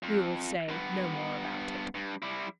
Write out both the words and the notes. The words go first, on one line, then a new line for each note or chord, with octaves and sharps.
We will say no more about it.
F2
G2 B3
G2
G3 E4